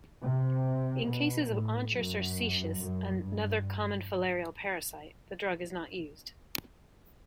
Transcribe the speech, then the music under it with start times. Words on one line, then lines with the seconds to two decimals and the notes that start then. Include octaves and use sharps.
In cases of onchocerciasis, another common filarial parasite, the drug is not used.
0.23 C3
1.08 B2
1.51 A2
1.94 F#2
2.79 F#2
3.21 G2